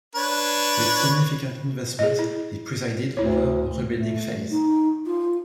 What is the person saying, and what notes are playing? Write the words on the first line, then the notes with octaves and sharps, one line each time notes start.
With significant investment, he presided over a rebuilding phase.
D4 B4 C#5
G#4 D#5
E4
D2 E4 C#5
A3
D#4
F4